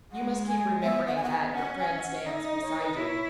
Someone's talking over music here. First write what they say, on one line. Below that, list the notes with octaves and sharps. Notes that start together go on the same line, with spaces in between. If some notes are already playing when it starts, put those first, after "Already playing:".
You must keep remembering that your friend stands beside you.
G#3 F#5
G#5
B3 E5
F#5
G#5
F#5
G#5
C#4 F#5
G#5
E5
F#5
D#4 E5
D#5
C#5
B4
E4 C#5